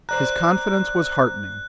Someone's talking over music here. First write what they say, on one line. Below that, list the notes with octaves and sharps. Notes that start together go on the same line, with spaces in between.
His confidence was heartening.
C5 D5 A#5 F#6